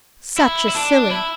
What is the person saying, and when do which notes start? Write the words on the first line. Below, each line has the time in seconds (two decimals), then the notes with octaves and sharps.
Such a silly!
0.38 E4
0.69 E4
0.75 D4
1.10 E4